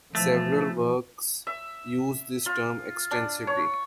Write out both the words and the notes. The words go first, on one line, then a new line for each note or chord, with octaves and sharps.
Several works use this term extensively.
B2 E3 F3 A3
E5
F4
D4
C#5